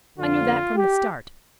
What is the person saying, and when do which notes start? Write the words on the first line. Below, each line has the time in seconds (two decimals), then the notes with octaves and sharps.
I knew that from the start.
0.18 F2 D3 F3 F4
0.76 G4